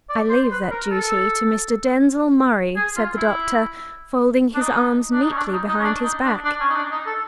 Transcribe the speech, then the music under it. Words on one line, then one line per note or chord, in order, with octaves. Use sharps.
"I leave that duty to Mr. Denzil Murray," said the Doctor, folding his arms neatly behind his back ...
D5
C5
B4
A#4
A4
G#4
F4
E4
D4
D#4
D4
D#4
C#4
D4
D#4
D#4
C#4
D4
D#4
D4
D4
C#4
D#4
D4
D#4
A4